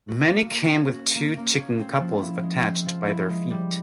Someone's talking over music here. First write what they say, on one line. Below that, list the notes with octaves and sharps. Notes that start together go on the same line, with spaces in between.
Many came with two chicken couples attached by their feet.
F#4
A#3
A#3
C#4
F#4
A#3
A#3
C#4
C4
F3
E4
G#3
C4
F3
E4
G#3
G3